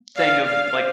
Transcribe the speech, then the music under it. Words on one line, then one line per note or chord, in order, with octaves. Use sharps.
thing of, like,
D5 F5
F5
C5